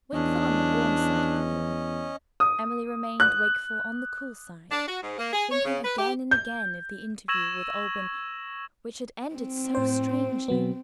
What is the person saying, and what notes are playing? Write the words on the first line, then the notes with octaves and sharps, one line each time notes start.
Wakeful on the warm side of the pillow, Emily remained wakeful on the cool side--thinking again and again of the interview with Alban which had ended so strangely.
E2 C#4 D4 D#5
D#6
F#6
D4
F#4
G#2
A#3
G#4
C#5
C#3
B4
G4
G6
C#6 E6 G#6 A#6 E7 F#7
C4
A2 C5
B2 F#3 B3